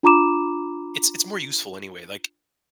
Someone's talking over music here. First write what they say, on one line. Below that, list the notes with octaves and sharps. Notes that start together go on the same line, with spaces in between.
It's it's more useful anyway, like
D4 F4 A#5 B5 D6 E7